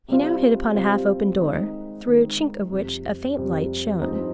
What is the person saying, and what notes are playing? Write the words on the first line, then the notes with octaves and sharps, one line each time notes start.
He now hit upon a half-open door, through a chink of which a faint light shone.
C3 G3 C4 F4
C3 G3 C4 F4
D#3 G#3 C4 D#4
D#3 G#3 C4 D#4
F2 C3 G3
F2 C3 G3
G2 F3 C4 D#4